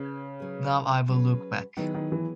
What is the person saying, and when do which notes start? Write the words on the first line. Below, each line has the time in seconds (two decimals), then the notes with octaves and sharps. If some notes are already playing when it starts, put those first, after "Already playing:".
Now I’ll look back.
Already playing: C#3 B4
0.39 F#3 C#4 G#4 B4
1.08 F#3 C#4 G#4 B4
1.77 D#3 F#3 B3 E4 G#4 B4
1.94 D#3
2.12 E3